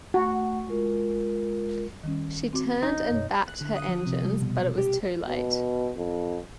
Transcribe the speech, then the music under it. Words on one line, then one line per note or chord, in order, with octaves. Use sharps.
She turned and backed her engines, but it was too late.
A3 F#4 F#5
G#3 F4 A#4
D#3 G3 C#4
C4 F#4 D6
D#4
F#2 B2 C#5
F#6
D3
D#6
F3
C3
G3
B2
G4
B2
F2